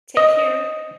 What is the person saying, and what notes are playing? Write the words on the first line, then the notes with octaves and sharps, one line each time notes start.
take care.
D#5